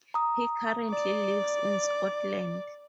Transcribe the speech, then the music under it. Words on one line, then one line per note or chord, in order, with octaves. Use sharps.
He currently lives in Scotland.
A#5 D#6
D5